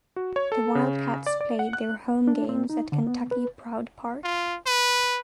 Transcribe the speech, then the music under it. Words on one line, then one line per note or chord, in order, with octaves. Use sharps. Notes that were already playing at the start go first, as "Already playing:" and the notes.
The Wildcats played their home games at Kentucky Proud Park.
F#4
C#5
A4
C#3
D5
D5
F#5
F#6
D4
C4
D#4
D3
B3
B4
F4
B4